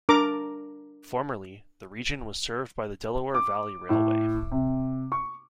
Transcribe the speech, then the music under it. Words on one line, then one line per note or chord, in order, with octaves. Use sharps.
Formerly, the region was served by the Delaware Valley Railway.
D4 A#4 A#5 D6
D6
A2
C3
C#6